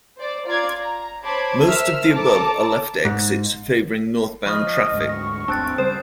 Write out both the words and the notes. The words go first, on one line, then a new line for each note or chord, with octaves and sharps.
Most of the above are left exits favoring northbound traffic.
C5 D5
F4 D5 A#5 D6 G#6
A#5
C5 C#5 A5 B5 D6 G#6
A#4 C5 E5 E6 F6
A4 A5 A#5 D6
G#2
F3 D#5 B5 C#6 D#6 F6
D2 G#2 F#3
C#6 A#6
G1 D2 C4 D4 A5 F#6 A6
C#3 G3 C5 D#6